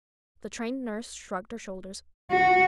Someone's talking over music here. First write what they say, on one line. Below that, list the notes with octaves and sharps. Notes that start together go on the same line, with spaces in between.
The Trained Nurse shrugged her shoulders.
F#4